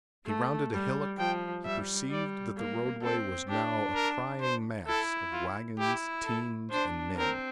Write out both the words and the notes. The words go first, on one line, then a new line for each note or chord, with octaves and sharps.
As he rounded a hillock, he perceived that the roadway was now a crying mass of wagons, teams, and men.
A3
G3
F3 G5
G3 E5
G3 D5
A#3
C4 A4
D4 G4
A#4
C5
E4 A4
F4
E4 G4
A4
D4 C5
C4 A#4